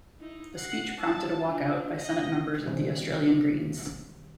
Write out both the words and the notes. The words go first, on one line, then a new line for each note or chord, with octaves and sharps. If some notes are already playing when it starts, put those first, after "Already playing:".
The speech prompted a walk out by Senate members of the Australian Greens.
D#4 E4
F#5 C7
E4 A5
D4 F4
D#5 A#6
B2 D#3 F#3 G3 C4 C#4